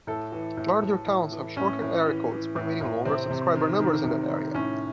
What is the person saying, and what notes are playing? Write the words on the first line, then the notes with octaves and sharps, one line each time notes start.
Larger towns have shorter area codes permitting longer subscriber numbers in that area.
A2 A4
E3
A2
A2
A2
E3
A2 C#4
A2
E3
E3
A2
A2
C3 C4
C3
D#3
D#3
C3
D#3
A2 C#4